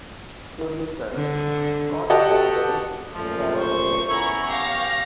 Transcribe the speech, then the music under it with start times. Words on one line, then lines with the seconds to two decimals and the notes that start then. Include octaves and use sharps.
Producer: Scott Colwell, Carol Klein.
1.15 D3
2.10 F#4 G4 A4 D#5
3.14 F#2 A#2 F3 A3
3.59 C5 C#6
4.10 B3 C#4 E4 A#5
4.48 G4 F5 A#6